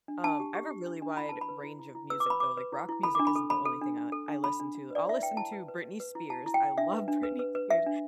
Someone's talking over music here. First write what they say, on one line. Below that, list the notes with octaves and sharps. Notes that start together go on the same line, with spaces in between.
Um, I have a really wide range of music though, like rock music isn't the only thing I I listen to, I'll listen to Britney Spears, I love Britney Spears,
D4
D4 A5
G4
G4
G4
D4
D4
E4 B5
B4 A5
B5
B4
E4
E4
E4
B4 E6
D6
B4 B5
B4 D6
B4
E4
E4
A4 B5
D4 D6
B5
A4
A4 B5
A4
D4
D4
A4
D4
A4 B5
D4
D4
B4 D5
E4 E5
B4 G5
E4 A5
B4
B4
B4
B4
E4
E4 A5
E4
G5
E4
D4 E5
B4
D4
B4
B4
B4
B4 E5
D4